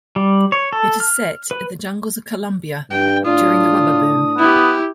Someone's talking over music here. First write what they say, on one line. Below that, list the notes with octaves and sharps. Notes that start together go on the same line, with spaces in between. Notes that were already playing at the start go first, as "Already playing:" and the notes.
It is set in the jungles of Colombia during the Rubber boom.
G3
C#5
A4
F6
B4
G2 G5
A2 D4 F4 D#6
B3 E4 G4